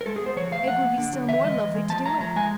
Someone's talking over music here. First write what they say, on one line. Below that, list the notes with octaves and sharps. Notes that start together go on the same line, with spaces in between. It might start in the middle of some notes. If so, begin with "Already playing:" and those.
"It will be still more lovely to do it."
A#4
G#3 A4
G#4
B3 C5
F3 C#5
A3 F5
F3 F#5
A#3
D3
F#3
E3 E5
G#3 D#5
E3
G#3
F3 A5
A3 A#5
F3 A#5
G#3 G#5